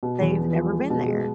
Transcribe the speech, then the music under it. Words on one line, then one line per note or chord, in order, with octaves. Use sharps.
They've never been there.
B2
E2
B3
F3
G#3
B2
G#3